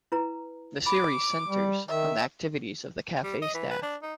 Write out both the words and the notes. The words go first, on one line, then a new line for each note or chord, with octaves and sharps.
The series centres on the activities of the cafe staff.
E4 B4 A#5
B5 D6
G3
D#3 E5
G3
D#5
E3
B4
D4
D#4